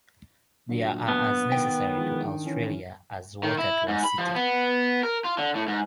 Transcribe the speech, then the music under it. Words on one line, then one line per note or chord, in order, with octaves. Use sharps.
They are as necessary to Australia as water to a city.
A#2 D3 F#3
B3
D#3 G5
E3 F3 G#3
D4
D3 E3 C#4
D#3
E4
G#2
B5
F3
B3
A#4
F4
D3
A2
G#2